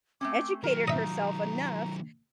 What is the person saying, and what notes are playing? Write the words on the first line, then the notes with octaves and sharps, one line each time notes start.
educated herself enough
A3 C4 C#4 D6
D#3 F#3 A#4 A#5
F3 D#4 D#5 E5